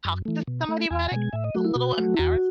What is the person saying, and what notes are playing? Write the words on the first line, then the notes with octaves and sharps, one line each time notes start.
talk to somebody about it. A little embarrassed.
F#2
E3 A3
B2
A3
E2 G#5
B2 G#3
A2 E5
D#5
F#3 A3 F#4
E4
B2 F#4
F#3 A3
E4
E2 F#4